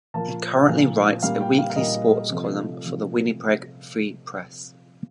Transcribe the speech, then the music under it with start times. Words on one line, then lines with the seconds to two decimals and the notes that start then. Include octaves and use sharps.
He currently writes a weekly sports column for the "Winnipeg Free Press".
0.14 A#2 F3 A#3 A5
0.68 A#2 F3 A#3 F5
1.23 A#2 G3 A#3 F5
1.41 G5
1.59 F5
1.70 F5
1.76 A#2 G3 A#3 D#5
2.31 C3 F3 A3
2.85 C3 F3 A3